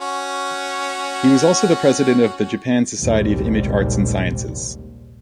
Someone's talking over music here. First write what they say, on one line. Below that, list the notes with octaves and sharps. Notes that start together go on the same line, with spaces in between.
He was also the President of the Japan Society of Image Arts and Sciences.
C#4 F#4
A#1 D#2 G#2 C3 G3